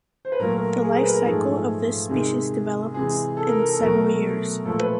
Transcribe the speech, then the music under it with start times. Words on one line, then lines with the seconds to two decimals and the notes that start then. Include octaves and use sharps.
The life cycle of this species develops in several years.
0.25 C5
0.32 B4
0.39 A#2 F#3 A3 A#4
0.54 A#4
0.82 G#4
0.93 A#4
1.03 B4
1.13 A#4
1.25 G#2 F3 A3 G#4
2.09 C3 D#3 G#3
2.94 C3 E3 G#3 G#4
3.37 A4
3.48 A#4
3.59 A#4
3.69 A4
3.80 B2 F#3 A3 A#4
4.65 A#2 F3 A3 A4
4.79 B4